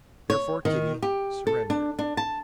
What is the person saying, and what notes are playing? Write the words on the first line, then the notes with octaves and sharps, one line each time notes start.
Therefore Kitty surrendered.
C#5
D#3
G4
A4
D4
D4
A5